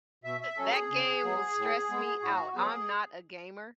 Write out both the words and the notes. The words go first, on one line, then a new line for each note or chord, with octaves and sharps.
That game will stress me out, I'm not a gamer.
B2 E5
E5
F#3 C#4 A4
G#4
C#3
F#3 B3
A2
G#3 B3
A2 F#4
F#4
F#3 B3 G#4